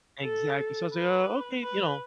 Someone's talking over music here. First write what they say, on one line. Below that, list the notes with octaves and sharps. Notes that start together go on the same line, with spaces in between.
Exactly. So I was like, "Oh, okay," you know,
A4
B4
B4